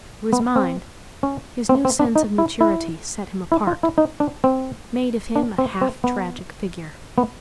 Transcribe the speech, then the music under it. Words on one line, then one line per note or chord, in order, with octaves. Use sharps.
To his mind his new sense of maturity set him apart, made of him a half-tragic figure.
B3
C4
C#4
C4
C4
D4
D#4
E4
E4
E4
F4
E4
D#4
D4
C4
D4
C4
C4
B3
B3